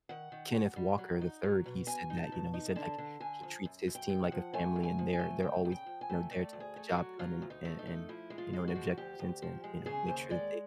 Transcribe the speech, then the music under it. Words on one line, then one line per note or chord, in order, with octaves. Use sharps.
Kenneth Walker III, he said that, you know, he said, like, he treats his team like a family and they're they're always, you know, there to get the job done and and and, you know, an objective sense and, you know, make sure that they
D#3 F#5
D#3
F#2
G3
F#3
D#4
F#3
B2
B2 G#5
D#4
A5
B2
D#4
D3 A5
D3
D3 G#5
F3
F#2
F#2
G5
F#2
F#5
F3
A3 G#5
F2
G#5
F3
G#5
A3
C#3 G5
C#3
G5
F3
G#5
A3
A3 D5
D2
G#4
A3
F#4
F#3
F#3 F4
D2
D#4
A3
D#4
A3
F3 E4
G#3
F4
G#3
F#4
F3
D2 G4
D2
F3
G#3
C#3 G#4
D#2 C5
G#3 D5